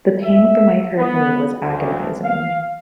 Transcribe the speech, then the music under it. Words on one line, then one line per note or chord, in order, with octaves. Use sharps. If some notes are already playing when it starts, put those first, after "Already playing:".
The pain from my hurt knee was agonizing.
E5
B3
D2
F5